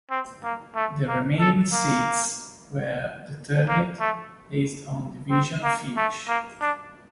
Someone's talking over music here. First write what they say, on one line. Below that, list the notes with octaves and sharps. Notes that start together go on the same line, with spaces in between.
The remaining seeds were determined based on division finish.
C4
A#3
A3
A#3
A4
A#3
A#3
A3
C4
A#3
A3
A#3
D4